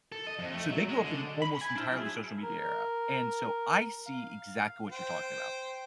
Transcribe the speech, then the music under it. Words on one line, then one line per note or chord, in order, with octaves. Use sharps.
So they grew up in almost entirely social media era, and so I see exactly what you're talking about.
A4
D#5
F2
A3
F#3
G#3
D3
B5
G#5
D4 E4 F4 C5 E5
F#3 G#4
A#4
F5
C5 G5